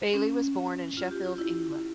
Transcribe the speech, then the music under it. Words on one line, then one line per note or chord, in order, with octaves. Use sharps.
Bailey was born in Sheffield, England.
C#4
F4
G4
F4
E4